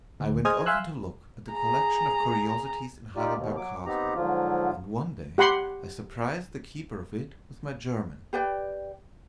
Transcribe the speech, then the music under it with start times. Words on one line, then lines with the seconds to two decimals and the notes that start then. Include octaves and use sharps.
I went often to look at the collection of curiosities in Heidelberg Castle, and one day I surprised the keeper of it with my German.
0.20 D2
0.45 G#4 C5 D#5 D#6 F6 G#6
0.66 E5 F5 G#5 C6 E6 F#6
1.53 G#4 A#5
3.16 D#4 F4 G4 D5
3.35 D#2 B2
3.57 F#3 D6
3.86 B3 C4 D#4 G4 A#5
4.15 G#2 D3 F3 F#3 F4
5.38 G4 F#5 B5 C6
8.33 G4 B4 D5 G5